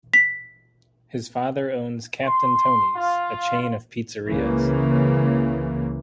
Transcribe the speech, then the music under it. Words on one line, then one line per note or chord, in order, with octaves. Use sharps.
His father owns Captain Tony's, a chain of pizzerias.
B6
C6
F4
C#2 C#3 E3 A#3